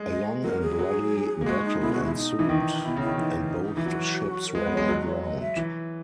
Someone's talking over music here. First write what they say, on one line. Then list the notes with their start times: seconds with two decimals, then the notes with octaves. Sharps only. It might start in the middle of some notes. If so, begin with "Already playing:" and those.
A long and bloody battle ensued, and both ships ran aground.
Already playing: G#3
0.09 D#5
0.44 F#3 A#4
0.61 G#4
0.79 F#3
1.41 A#3
1.46 G#3 F#4
1.64 D#4
1.81 B2 E4
1.93 F#4
2.04 E4
2.15 D#4
2.39 E3
2.49 D#3
2.83 B2 E4
2.97 C#3 E4
3.07 D#3
3.17 E3 D#4
3.77 E3
3.86 F#3 F#4
4.48 A#4
4.54 G#3 B4
4.66 B3
4.71 C#5
4.77 G#3
4.88 F#3 D#5
4.99 D#5
5.06 C#5
5.23 D#5
5.40 E5
5.56 E3